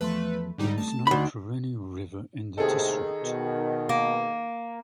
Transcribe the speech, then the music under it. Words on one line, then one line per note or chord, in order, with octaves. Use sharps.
There is no perennial river in the district.
E2 F3 A3 B4 C6
G#2 D3 G3 D#4
A3 A5
D2 D4 D#4 B5
D#2 A2 C3 D#3 G#4 A4
B2
A#3